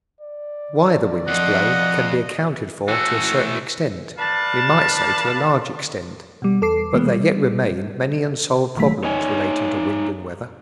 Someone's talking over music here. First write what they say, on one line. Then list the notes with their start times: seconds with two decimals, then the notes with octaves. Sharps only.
Why the winds blow can be accounted for to a certain extent,--we might say to a large extent,--but there yet remain many unsolved problems relating to wind and weather.
0.21 D5
1.28 F2 D#5 F#5
2.88 E3 A3 F#4
4.18 B4 D5 F5 A5
6.42 B2 G3
6.62 E2 A4 D6 C7
6.94 C3 E3 G#3 A#3 B3
7.07 G3
8.76 G#1 B2 D#3 F#3 A3 B6
9.04 D#4 C#5 G#5